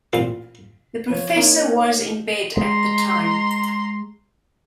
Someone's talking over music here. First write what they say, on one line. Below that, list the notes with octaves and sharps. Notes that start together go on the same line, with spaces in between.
The professor was in bed at the time.
A1 A#2 C4 F4 C5 D#6
F3 C#5
A#3 D#4
G#3 A#5 C6